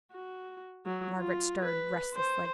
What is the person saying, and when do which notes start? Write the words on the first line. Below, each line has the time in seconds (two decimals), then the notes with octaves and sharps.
Margaret stirred restlessly.
0.12 F#4
0.86 F#3
1.17 F4
1.65 B4
2.14 C5